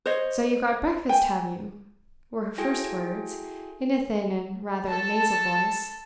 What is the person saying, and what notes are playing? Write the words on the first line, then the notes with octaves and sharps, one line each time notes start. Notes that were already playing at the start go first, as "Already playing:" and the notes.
'So you've got breakfast, have you?' were her first words, in a thin and rather nasal voice.
C5 C#5 D#5
G5 G#5
E4 F#4 G#4 A4 G5 G#5
A4 A5